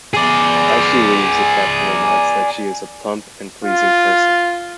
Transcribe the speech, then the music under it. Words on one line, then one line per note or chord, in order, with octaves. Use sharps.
As she leaves, the Captain remarks that she is "a plump and pleasing person".
G#4 D5
F4